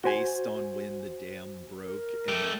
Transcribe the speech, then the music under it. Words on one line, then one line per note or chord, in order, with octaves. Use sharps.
based on when the dam broke and that
F#4 C5 G#5
A#4
A3 G4